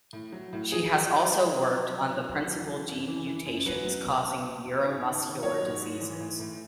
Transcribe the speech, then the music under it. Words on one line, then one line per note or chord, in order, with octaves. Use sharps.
She has also worked on the principal gene mutations causing neuromuscular diseases.
A2
F#3
A2
F#3 G#4
F#3
F#3
F#3
F#3
F#3
F#3
A2
F#3
E3
E3
F#2
E3
E3
F#2
F#3 B4
E2
B2
B2
B2
E2
G#2 C#5
D#3
D#3
F#3 C#5
G#2
G#2
E3
A2
A2